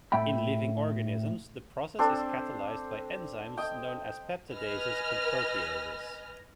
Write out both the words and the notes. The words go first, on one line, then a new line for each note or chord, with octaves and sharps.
In living organisms, the process is catalyzed by enzymes known as peptidases or proteases.
A2 E5 G5 B5
C4 D4 A4 C5
D#5 G5
B4 D#5 G#5 F6 A#6